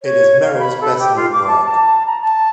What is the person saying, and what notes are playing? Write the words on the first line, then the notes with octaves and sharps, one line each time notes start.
It is Merrill's best known work.
C#5
F5
B5
A4
G4
F4
D6
A5
A5
A#5
A5